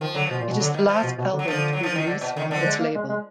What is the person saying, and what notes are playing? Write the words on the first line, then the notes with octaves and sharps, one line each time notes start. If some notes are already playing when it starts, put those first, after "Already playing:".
It is the last album to be released on this label.
D#3 F3
D3 F#3
B2 F3
A#2
B2
D3 F#3
D#3
F3
B2
B2
D3
F#3
D3 F3
F#3
F3
D#3
D3
B2
D3 D#3
D#3
D3 F3
G#3
A#3
G#3
G#3